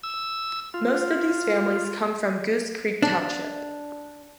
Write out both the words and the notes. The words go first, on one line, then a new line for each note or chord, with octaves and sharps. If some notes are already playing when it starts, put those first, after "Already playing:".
Most of these families came from Goose Creek Township.
E6
F4
D4